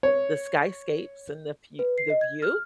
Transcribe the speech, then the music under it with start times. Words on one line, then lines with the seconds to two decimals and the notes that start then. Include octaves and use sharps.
the skyscapes and the fe the view.
0.03 C#5
1.79 B4
1.98 C7
2.10 D#5
2.21 G#6
2.42 F6